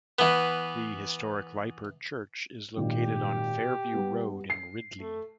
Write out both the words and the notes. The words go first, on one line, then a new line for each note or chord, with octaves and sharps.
The historic Lieper church is located on Fairview Road in Ridley.
E3 B3
G#1 A#2 D#3 G4
G3 B3
C7
A3